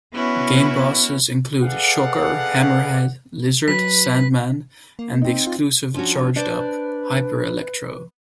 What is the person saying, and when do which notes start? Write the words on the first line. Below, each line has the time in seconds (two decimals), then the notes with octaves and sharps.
Game bosses include Shocker, Hammerhead, Lizard, Sandman and the exclusive charged-up Hyper-Electro.
0.14 B3 C#4 E4 F#4
1.62 G#4 A4 B4 D5 F5 F#5
3.68 F#3 B4 B6
4.99 A#3
5.22 C4 D#4
5.47 F4
5.94 F3 C#4 D4 F#4
6.36 D4 B4 C5 D5